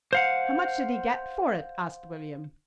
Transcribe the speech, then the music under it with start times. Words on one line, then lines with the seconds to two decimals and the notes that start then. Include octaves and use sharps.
"How much did he get for it?" asked William.
0.13 C5 F5 F#5